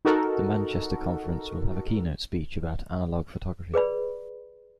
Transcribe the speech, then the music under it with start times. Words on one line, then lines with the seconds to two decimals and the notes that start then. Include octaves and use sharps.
The Manchester conference will have a keynote speech about analogue photography.
0.05 D#4 F#4 A4 A#4
3.74 G#4 B4 D5 B5